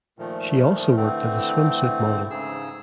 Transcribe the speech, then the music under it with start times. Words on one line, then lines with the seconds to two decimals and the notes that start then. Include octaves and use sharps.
She also worked as a swimsuit model.
0.19 A#2 D#3 F3 A3
0.96 D3 E3 A3 C4
2.30 G#2 C#3 G#4 E6